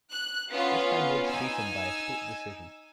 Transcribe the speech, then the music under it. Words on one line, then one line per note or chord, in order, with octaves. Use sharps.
This time Woods beat him by a split decision.
F#6
B3 C#4 F4 B4
D#4 G#5 E6